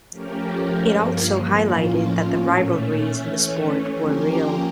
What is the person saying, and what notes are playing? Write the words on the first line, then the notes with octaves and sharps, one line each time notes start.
It also highlighted that the rivalries in the sport were real.
F3 A3 C#4 G4 A#4
G2 F3 A#3
A2 F3 A#3 C#4 F4
A#2 A3 C#4
E3 A3 C#4
F3 A#3 C#4 G4 A#4